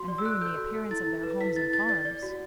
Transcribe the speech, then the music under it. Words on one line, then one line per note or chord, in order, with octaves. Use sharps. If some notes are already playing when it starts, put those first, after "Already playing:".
"And ruin the appearance of their homes and farms."
Already playing: F#4 C6
D5
E6
A4 F#6
A4 G6
F#4
A4
E4 A6
E4
B4
E4 B6
E4 A6
E4 A6
D5 A6
D5
F#4